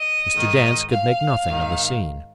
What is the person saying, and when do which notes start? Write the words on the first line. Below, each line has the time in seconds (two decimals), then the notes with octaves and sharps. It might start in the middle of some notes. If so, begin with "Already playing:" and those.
Mr. Dance could make nothing of the scene.
Already playing: D#5
0.34 G#2 D#3
0.90 F5
1.45 G#2 D#3